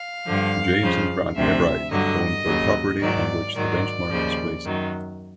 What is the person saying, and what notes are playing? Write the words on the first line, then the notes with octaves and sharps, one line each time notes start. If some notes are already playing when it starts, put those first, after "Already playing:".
James and Grant Ebright owned the property on which the benchmark was placed.
Already playing: F5
G2 D3 F3
F2 C#3 F3
D2 C3 F3 E5
G2 D3 F#3 D#5
D#2 C#3 F#3
G#2 D#3 F#3 D5
G#2 D#3 F#3 D5
D#2 C#3 F3
F#2 D#3 F#3